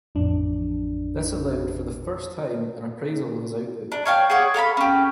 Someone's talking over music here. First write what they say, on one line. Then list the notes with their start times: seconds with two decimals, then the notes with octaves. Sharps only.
This allowed for the first time an appraisal of his output.
0.15 A1 F2 D4
3.92 D4
4.06 C#5 F5 G5 A5
4.30 G#4 C#5 F#5 D6
4.54 A4 F5 A5 B5
4.77 C#4 G4